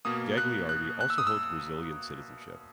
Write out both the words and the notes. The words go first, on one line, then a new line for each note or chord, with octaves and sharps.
Gagliardi also holds Brazilian citizenship.
B2 A#3 D#6
F#6
F#6
F#6
E6
D#6
E6